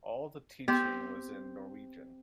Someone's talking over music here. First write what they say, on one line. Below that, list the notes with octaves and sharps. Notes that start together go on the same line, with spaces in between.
All the teaching was in Norwegian.
B3 C4 G4